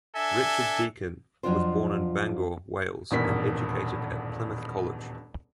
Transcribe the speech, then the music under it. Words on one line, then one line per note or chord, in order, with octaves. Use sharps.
Richard Deacon was born in Bangor, Wales, and educated at Plymouth College.
D4 A4 E5 G#5
F2 F3 F#3 D4 F4 C5
D#1 E2 G2 B2 A#4 B6